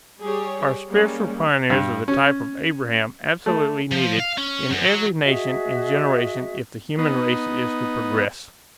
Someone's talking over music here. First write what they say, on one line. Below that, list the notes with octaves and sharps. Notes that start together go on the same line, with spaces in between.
Are spiritual pioneers of the type of Abraham absolutely needed in every nation and generation if the human race is to progress?
G3 G4 G#4 C#5
G3 G#3 A#3 C#4
G2
C#4
A3
F3
F5
C#4
F#2
F#3
F#4 G#4 D#5 E5
B3 D#4